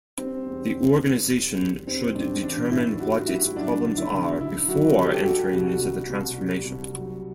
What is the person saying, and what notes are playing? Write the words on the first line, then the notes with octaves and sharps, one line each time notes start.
The organization should determine what its problems are before entering into the transformation.
G3 C4
E2
B2
E2
G3
E2
G3 C4
A2 D4
E3 D4
A2 E4
G3 F#4
A2 E4
F#3 D4
D2
E4
D3
D2 E4
F#3 F#4
D2 G4
A4
G4
G3 F#4
C2
B2
C2
G3
C2
F#3